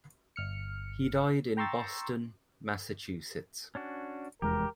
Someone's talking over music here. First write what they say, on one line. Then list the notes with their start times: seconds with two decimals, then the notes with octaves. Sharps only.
He died in Boston, Massachusetts.
0.36 G1 F6 C#7
1.57 G5 A#5 C6 C#6 E6 A6
3.75 C#4 D4 F#4
4.42 F1 E2 G#3 G4 A#4